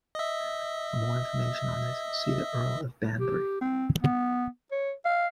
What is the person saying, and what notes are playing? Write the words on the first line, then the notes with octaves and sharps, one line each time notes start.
For more information on this, see the Earl of Banbury.
D#5 E5
G4
C4
B3
C#5
F5